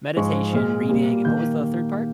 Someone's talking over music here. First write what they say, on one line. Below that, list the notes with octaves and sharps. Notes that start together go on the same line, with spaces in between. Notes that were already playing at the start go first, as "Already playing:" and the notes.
meditation, reading, and what was the third part?
G#2 F3 G#3 C#6
A#2 G#3 F6
A#2 G3 A#3
D#3 A#3 G6